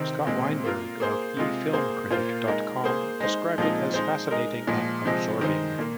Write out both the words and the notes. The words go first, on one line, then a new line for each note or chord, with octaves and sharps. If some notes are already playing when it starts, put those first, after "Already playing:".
Scott Weinberg of eFilmCritic dot com described it as Fascinating and absorbing.
Already playing: C3 D#3 C4
A#2 G#3 C4
A#3 F4 A#4
A#3 G#4 C5
C3 G#3 F4 G#4
A#3 G#4 C5
A#2 A#3 F4 C5
G#3 D#4 A#4
A#3 G#4 C5
G#3 D#4 C5
A#2 F3 G#3 C4 D#4
G#3 D#4 C5
G#3 D#4 A#4
A#2 F3 G#3
C3 F3 G#3 C4
D#3 G#3 D#4 C5
A#2 A#3